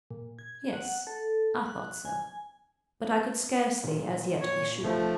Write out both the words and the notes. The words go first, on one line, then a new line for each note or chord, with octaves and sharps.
Yes, I thought so; but I could scarcely as yet be sure.
A#2
G#6
F#5
A4
F#6
G#5
A#2
C#5
F1 F3 A3